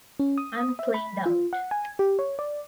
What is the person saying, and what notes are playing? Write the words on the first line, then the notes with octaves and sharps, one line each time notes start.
I'm cleaned out.
C#4
D#6
E5
B5
F4
F#5
G#5
G4
C#5
D5